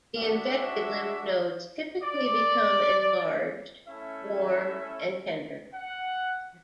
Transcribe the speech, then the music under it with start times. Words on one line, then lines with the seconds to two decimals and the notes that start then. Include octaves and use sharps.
The infected lymph nodes typically become enlarged, warm and tender.
0.17 G#3 D4 F#4 E5
2.03 D5
3.88 A3 C#4 E4 E5
5.73 F#5